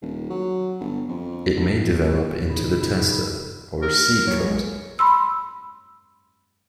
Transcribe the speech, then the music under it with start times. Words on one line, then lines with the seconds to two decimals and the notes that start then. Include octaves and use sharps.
It may develop into the testa, or seed coat.
0.02 D#1
0.30 F#3
0.80 G1
1.09 F2
1.57 D2
1.79 E1
2.49 A#2 C#3 D#4 G#4 B5
3.82 A#4
4.27 E2 F#3 C#5
4.46 A#1 G#3
4.99 B5 C6 E6